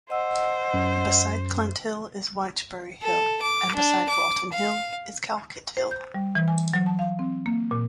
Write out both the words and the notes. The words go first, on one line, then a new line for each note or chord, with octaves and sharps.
Beside Clent Hill is Wychbury Hill and beside Walton Hill is Calcot Hill.
C5 D#5 F#5 E6
F#2
A4
D6
D4
D6
F5
C5
G6
G3
E3
G#5
F#3
A5
F5
C4
A#3
A#2